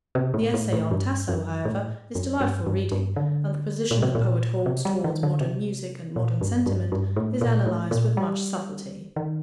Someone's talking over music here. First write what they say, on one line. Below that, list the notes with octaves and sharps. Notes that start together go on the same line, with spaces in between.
The essay on Tasso, however, is delightful reading, and the position the poet holds towards modern music and modern sentiment is analysed with much subtlety.
C3
A2
A2
A2
G2
F#2
A2
F#2
G2
G2
G2
D3
A#2
C3
A#2
C3
G3
D#3
D3
C3
A#2
G2
G2
G2
A2
A#2
A2
A#2
G3
D#3